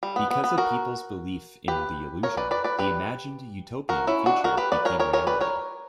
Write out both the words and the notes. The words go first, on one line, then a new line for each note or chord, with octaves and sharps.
Because of people's belief in the illusion, the imagined utopian future became reality.
G3
B3
B3
B3
F#4 A#4
G4 B4
A#4 C#5
B4 D5
B4 D5
B4 D5
G4 B4
F#4 A#4
C#4 E4
D4 F#4
F#4 A#4
G4 B4
B4 D5
A#4 C#5
A#4 C#5
A#4 C#5
B4 D5
A#4 C#5